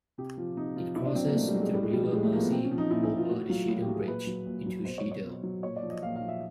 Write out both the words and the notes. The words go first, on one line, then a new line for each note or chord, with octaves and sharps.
It crosses the River Mersey over the Cheadle Bridge into Cheadle.
C3 G4
F3 F4
C3 D#4
F3 F4
B2 E4
D4
F#3 C4
A#3
B2 A3
G3
F#3
G#3
A2 G3
G#3
F3 G3
G3
A2 G#3
A3
F3 A#3
B3
A#2 C4
C#4
F3
D#4
A#2 E4
E4
F3
F4
A2 F#4
F#3 F4
A2 F#4
G4
F#3
G#4
A#2 B4
F#3
A#2
F#3
B2 C5
C#5
F#3
C#5
B2
F#3
A#2 C#5
D5
F3
D#5
A#2 F5
F5
F3
E5